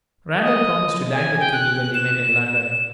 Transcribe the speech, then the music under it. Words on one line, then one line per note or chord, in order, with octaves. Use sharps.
Randal promised to dine with Kitty when they met in London.
D#5
G#5
G5
F#6
E7